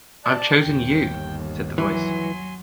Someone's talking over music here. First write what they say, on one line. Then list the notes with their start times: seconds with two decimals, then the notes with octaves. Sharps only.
"I've chosen you," said the Voice.
0.24 D5 A5 F#6
0.62 G1 D#2 G5
1.78 E3 F#3 G#5 C6